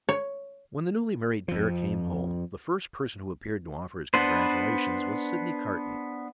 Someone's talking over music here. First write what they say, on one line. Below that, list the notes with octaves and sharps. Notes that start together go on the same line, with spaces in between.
When the newly-married pair came home, the first person who appeared, to offer his congratulations, was Sydney Carton.
C#5
F2 F3
B3 D4 B4 C5